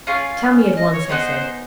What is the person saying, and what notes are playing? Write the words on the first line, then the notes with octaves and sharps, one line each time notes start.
"Tell me at once, I say."
C#4 F4 G#4 F5
D#5
C#5
B3 D#4 G#4 C5